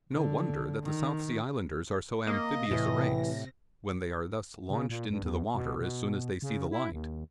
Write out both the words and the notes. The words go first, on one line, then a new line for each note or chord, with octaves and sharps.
No wonder that the South Sea Islanders are so amphibious a race, when they are thus launched into the water as soon as they see the light.
D3
D#3
C3 A#3 D#5 A#6
A2 E3
C#3
A#2
G2
E2
B2
B2
C#3
E4
D#2